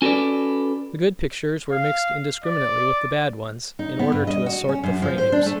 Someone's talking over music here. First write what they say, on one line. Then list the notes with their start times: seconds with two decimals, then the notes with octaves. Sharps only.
The good pictures were mixed indiscriminately with the bad ones, in order to assort the frames.
0.02 C#4 F#4 A4 B4 D5
1.72 F5
2.44 D5
3.79 D#4
3.99 B3
4.12 G2
4.27 D#5
4.46 F#4
4.69 C#4
4.83 F#2
5.02 F3
5.18 C5
5.32 D4
5.46 A3